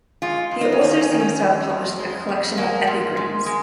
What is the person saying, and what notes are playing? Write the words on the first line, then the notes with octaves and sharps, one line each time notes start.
He also seems to have published a collection of epigrams.
G#3 F4
F2
D#4
C#4
D#3 A#3
C#4
D#3
C#4
F2
F2
G#3
F2
G#3 A#3
G#2
G#3
G#3